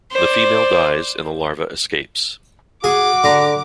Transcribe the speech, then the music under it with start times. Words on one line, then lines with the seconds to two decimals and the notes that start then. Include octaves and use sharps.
The female dies, and the larva escapes.
0.12 C5 D5
2.84 F#4 G#4 D6
3.24 D3 A#5